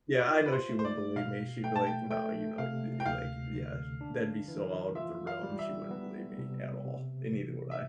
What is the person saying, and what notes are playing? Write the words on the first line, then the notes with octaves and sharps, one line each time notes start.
Yeah, I know she wouldn't believe me, she'd be like, "No," you know, th i like i Yeah. That'd be so out of the realm, she wouldn't believe me at all, and neither would I.
F4 D5
B4
C5
A3
C5
D5
B2 F5
A3 G5
A5
G5
A3 G5
C3 F5
G5
D2 F5
D3
D4
E3
F4 E5
F5
G3
E5
B3
C3
C3
E3
E5